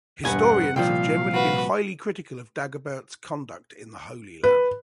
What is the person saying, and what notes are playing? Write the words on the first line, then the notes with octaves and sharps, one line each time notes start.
Historians have generally been highly critical of Dagobert's conduct in the Holy Land.
E1 G2 F#5 G#5
C2 A#2 F3 F5 G5
F#4 B4
B4